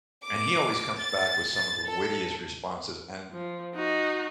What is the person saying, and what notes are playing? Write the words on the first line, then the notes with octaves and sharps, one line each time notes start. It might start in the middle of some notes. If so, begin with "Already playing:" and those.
and he always comes back with some of the wittiest responses, and
D6
A6
A6
A4
F3
D#4 F#4